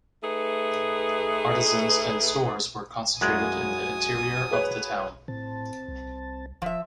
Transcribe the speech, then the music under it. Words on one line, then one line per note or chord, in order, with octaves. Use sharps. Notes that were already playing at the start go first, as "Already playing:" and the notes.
Artisans and stores were concentrated in the interior of the town.
A3 D#4 G#4 B4
F#2 G#3 A#3 E4 F#4 D5 G#5 D#6
G#4 B4 C#5
A2 C4 A5
C2
D1 F3 E5